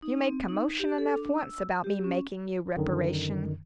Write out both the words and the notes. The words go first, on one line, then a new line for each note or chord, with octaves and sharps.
"You made commotion enough once about me making you reparation."
D#4
C4
D#4
G4
A4
D4
E6
G4
C#4
F#2 D3 D#3